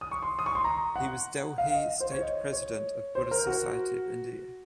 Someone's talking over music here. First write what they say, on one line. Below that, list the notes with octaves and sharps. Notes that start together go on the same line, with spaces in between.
He was Delhi state president of Buddhist Society of India.
D#6
C#6
C6
D#6
C#6
C6
A#5
F#5
F5
D#5
C5
C#5
D#5
C#5
C5
A#4
F#4